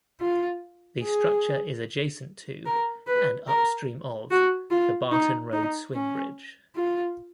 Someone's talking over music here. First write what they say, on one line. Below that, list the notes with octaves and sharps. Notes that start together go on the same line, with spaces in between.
The structure is adjacent to, and upstream of, the Barton Road Swing Bridge.
F4
G#4
A#4
B4
A#4
F#4
F4
D#4
D#4
C#4
F4